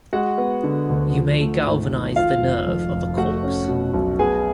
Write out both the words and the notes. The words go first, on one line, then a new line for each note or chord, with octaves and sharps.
You may galvanize the nerve of a corpse.
G#3 F#4 F#5
B3
D3
D2
F3
A3
G#2
G#1
F3 F4 F5
F1
F2
F1
A3 F#4 F#5
C#4
B2
B1
B3 G#4 G#5